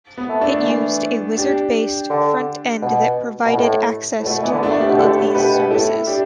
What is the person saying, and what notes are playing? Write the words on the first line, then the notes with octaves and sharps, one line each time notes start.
It used a Wizard-based front-end that provided access to all of these services.
B3
A3
A3 D4
D3
E3
D4 G4
D3
B2
B2
A2
A2
B2 A3
E3 B3
D3
E4
A3 D4
D4 G4
B2
G4
D3 E4 A4
A2
B2 G4 B4
B2
A2 E4 A4
D4 G4